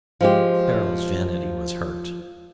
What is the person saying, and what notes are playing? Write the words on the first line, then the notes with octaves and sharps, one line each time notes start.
Beryl's vanity was hurt.
F3 G#3 G4